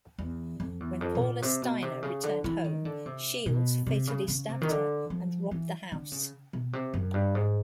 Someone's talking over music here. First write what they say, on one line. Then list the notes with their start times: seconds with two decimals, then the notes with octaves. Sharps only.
When Paula Steiner returned home, Shields fatally stabbed her and robbed the house.
0.18 E2
0.60 F2
0.80 E2
1.01 F2
1.15 B2
1.21 A#2
1.42 C3
1.62 B2
1.82 C3
2.03 C#3
2.24 D3
2.44 E3
2.64 D#3
2.85 D3
3.06 C3
3.46 B2
3.87 C3
4.07 C#3
4.28 C#3
4.49 C3
4.62 D#3
4.69 D3
5.10 F3
5.51 E3
5.92 D3
6.12 C#3
6.53 B2
6.73 C3
6.94 F#2
7.14 G2
7.35 G#2